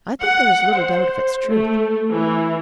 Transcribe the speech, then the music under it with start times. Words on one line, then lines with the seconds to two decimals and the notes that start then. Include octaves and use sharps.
I think there is little doubt of its truth.
0.21 F#5
0.73 C5
1.46 A3
2.12 E3